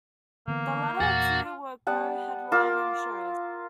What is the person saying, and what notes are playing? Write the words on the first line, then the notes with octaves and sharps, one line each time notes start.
The latter two were co-headlining shows.
D3 E3 A#3 B3
E2 A#2 F#4 F#5 A6
F4
G3 B3 F#5 A5
F4 A#4 D6 E6